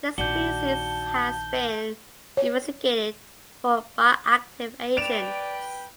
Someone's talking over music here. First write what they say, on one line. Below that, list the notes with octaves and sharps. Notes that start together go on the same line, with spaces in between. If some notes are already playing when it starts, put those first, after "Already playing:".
The species has been investigated for bioactive agents.
A#1 D#3 F#4 D5 A5 G6 G7
C#5
B4 D5 G5 D7 E7 F7